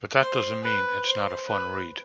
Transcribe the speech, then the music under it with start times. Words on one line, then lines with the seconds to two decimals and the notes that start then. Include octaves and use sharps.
But that doesn't mean it's not a fun read.
0.21 C5
0.63 B4
1.05 C5
1.47 B4